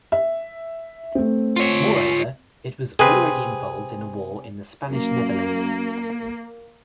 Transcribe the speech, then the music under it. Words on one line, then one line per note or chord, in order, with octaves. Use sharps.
Moreover, it was already involved in a war in the Spanish Netherlands.
E5
A3 C4
F4 C#5
C3 C4 G#4 B4
F#2 A#3